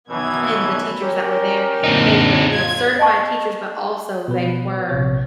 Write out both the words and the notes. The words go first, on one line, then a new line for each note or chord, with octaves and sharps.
and the teachers that were there, they were, you know, certified teachers, but also they were,
F#2 B2 D#3 E3 B3 G#6
C#4 G4 A#4 C#5
F#2 A#2 D3 C4 D#4
F4 G#6
D#5 G#5 A5 C#6
B2 F3 B4
A#1 C3 C#5